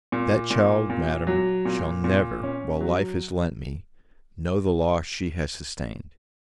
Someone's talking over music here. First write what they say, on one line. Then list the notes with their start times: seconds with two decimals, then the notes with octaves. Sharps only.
That child, Madam, shall never, while life is lent me, know the loss she has sustained.
0.12 A#2
0.50 A#2
0.90 A#2
1.27 F#3
1.65 A#2
2.04 A#2
2.43 C#4
2.81 F#3